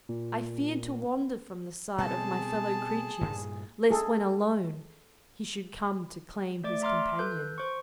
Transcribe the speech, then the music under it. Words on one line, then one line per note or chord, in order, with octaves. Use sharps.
I feared to wander from the sight of my fellow creatures lest when alone he should come to claim his companion.
A#2
B2 G3 C4 G#4 A5
G2 A#2
G#4 A4
A3 D5 D6
E5 A#5 C6 D6 F6
A4 B4 G6
C5 C#6